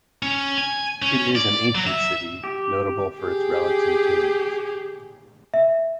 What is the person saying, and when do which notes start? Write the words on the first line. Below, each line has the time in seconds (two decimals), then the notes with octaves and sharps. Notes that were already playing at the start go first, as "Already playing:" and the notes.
It is an ancient city, notable for its relics and tombs.
0.23 C#4
0.58 G#5
1.02 C#4
1.35 D5
1.75 F#3
1.87 E5
2.44 G4
3.19 G4 G#4
5.54 E5